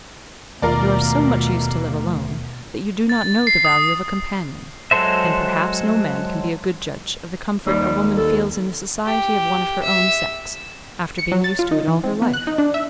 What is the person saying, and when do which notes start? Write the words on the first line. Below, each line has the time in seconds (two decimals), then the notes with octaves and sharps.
You are so much used to live alone, that you do not know the value of a companion; and, perhaps no man can be a good judge of the comfort a woman feels in the society of one of her own sex, after being used to it all her life.
0.62 D#2 B2 A3 F4 A#4 D5
3.09 A6
3.47 C7
3.65 D#6
4.91 F#3 G#3 A4 C5 E5
7.66 D#2 G3
8.17 A4
9.06 G4
9.83 E5
11.18 C#7
11.32 F#3
11.44 A6
11.59 F4
11.71 D#4
11.88 E3
12.04 C4
12.22 B3
12.34 F#6
12.47 D#4
12.58 D4
12.74 E5